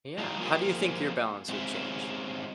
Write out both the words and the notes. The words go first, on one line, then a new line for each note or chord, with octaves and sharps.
Yeah. How do you think your balance would change?
A2 G3 D#4 F4
F3 A#3 F4 G4 G#4
G#3 C4 C#4 F4 G#4 E5